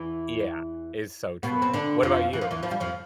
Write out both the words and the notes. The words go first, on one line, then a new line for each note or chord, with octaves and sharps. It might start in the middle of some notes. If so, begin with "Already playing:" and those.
Yeah, it's so true. What about you?
Already playing: E2 E3
B2 B3
C4
D3 D4
F2 F3
E3
F3
E2 E3
F3
G3
F2 F3